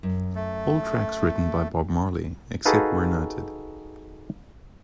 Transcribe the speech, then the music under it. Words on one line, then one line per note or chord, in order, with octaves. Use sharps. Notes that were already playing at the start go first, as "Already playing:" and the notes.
All tracks written by Bob Marley, except where noted.
F#2
A3
D#4 F#4 G#4 A4 B4 F5